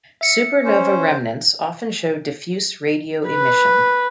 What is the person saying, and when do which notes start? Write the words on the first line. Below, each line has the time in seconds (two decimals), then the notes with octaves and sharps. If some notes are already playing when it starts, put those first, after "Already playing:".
Supernova remnants often show diffuse radio emission.
0.21 E5 C#7
0.65 C#4 C5
3.28 B4